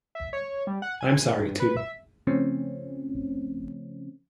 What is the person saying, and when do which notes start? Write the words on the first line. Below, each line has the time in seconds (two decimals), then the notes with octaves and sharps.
I’m sorry, too.
0.15 E5
0.33 C#5
0.67 G3
0.82 F#5
1.01 G#5
1.39 G2
1.60 B4
1.77 E5
2.27 C#3 F3 A3 C4 C#4